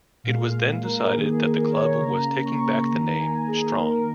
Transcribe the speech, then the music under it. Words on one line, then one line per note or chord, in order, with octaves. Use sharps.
It was then decided that the club was taking back the name "Strong".
A#2 G#3 F5
A#4
D#3 A#3 G#4
A#4
C#5
C#3 A#3 A#5
C#6
D#3 A#3 A#5
G#5
G#4
D#3 A#3 A#4